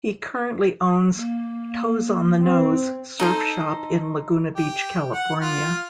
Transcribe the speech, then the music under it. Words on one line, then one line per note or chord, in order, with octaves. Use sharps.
He currently owns "Toes on the Nose" surf shop in Laguna Beach, California.
A#3
C4
D#4 A4 C5
G4
F#5
F4